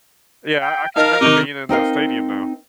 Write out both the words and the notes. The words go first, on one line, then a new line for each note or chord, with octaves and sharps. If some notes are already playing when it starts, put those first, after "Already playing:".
Yeah, I I can remember being in that stadium now.
G5
D#4 A#4 F5 A5
C3 D#3 D#4 D6
C4 D#4 A#4 F5